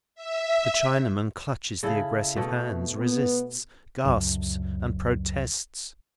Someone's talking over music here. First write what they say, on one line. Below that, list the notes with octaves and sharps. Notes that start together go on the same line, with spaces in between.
The Chinaman clutches the aggressive hands, resists, gasps, and protests.
E5
C#3 E4 A4
B2 A3
B3
C#2 F#2 D3